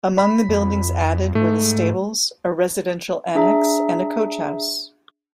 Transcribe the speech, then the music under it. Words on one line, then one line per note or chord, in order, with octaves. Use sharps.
Among the buildings added were the stables, a residential annex and a coach house.
B5
F2
G#2 A3
D4 G#4 E5 A#5